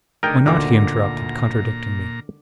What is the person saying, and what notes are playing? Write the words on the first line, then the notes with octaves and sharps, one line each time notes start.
"Why not!" he interrupted, contradicting me.
D#3 A3 D4 G#4 A#4 D#5 G5
D2 A#2 D3 D#3 F4 A#5 D6